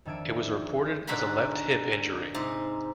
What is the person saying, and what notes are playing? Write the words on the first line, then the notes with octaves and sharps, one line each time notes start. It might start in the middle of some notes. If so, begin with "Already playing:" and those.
It was reported as a left hip injury.
F2 D#3 D4 E5 G#6 D7
G#2 D3 D#4 F#4 B5 C6
G#2 C3 D#4